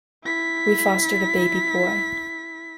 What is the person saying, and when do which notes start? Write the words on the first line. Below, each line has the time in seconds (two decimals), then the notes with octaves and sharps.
We fostered a baby boy.
0.25 E4 B6